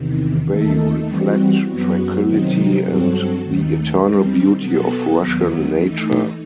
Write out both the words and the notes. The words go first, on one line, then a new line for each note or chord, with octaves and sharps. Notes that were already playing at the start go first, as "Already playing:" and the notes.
They reflect tranquility and the eternal beauty of Russian nature.
Already playing: E2 C3 D#3
D#2 D#3 A3 D#4 A4
E3 G3 C4 F#4
F#2 F#3 B3 F#4
C3 D#3 F#3 C4 D#4
G2 F#3 C4 F#4 A4
D#2 D#3 A3
D#3 G3 C4
B2 F#3 B3 F#4 A4
D#2 D#3 F#3 B3
E3 A3 D#4